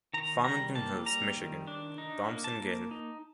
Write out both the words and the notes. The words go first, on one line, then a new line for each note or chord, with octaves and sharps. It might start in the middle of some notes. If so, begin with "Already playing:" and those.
Farmington Hills, Mich.: Thomson Gale.
D#3 A#5
G3 A#5
A#3 A5
G3 A#5
D#3
D4
D#4
A#3
A5
A#3
D#4